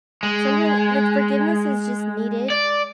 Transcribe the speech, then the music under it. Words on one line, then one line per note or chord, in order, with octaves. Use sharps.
sometim like forgiveness is just needed,
G#3
D5